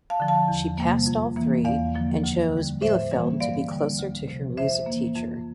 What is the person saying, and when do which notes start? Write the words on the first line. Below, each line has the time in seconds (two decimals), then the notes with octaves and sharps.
She passed all three and chose Bielefeld to be closer to her music teacher.
0.10 F5 A5
0.20 D3 F3
0.28 F5 A5
0.48 E2
0.78 C3 G3 A#3
1.06 F2
1.36 E3 A#3
1.65 E2 D5 F5
1.95 D3 F3 A#3
2.23 D2
2.52 D3
2.57 G3
2.81 A2 C5 E5
3.11 E3 G3 A#3
3.40 G2 D5 F5
3.69 D3 G3 A#3
3.99 D2
4.28 C3 F3
4.57 F2 C5 E5
4.86 E3 A#3
5.16 F2